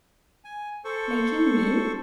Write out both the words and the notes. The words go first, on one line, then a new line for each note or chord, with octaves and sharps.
Making me?
G#5
A4 C5 C#6